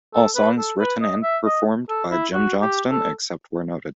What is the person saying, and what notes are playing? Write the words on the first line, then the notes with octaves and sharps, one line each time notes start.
All songs written and performed by Jim Johnston, except where noted.
A4
B4
A4
B4
D#5
E5
D#5
A4
E4
F#4
G4
A4